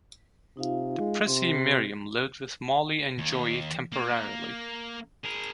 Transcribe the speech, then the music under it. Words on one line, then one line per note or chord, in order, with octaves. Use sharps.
The prissy Miriam lived with Molly and Joey temporarily.
C3 D#4 F4 F5
G#3
C3 C6
D#2
A#3
G#4 A#4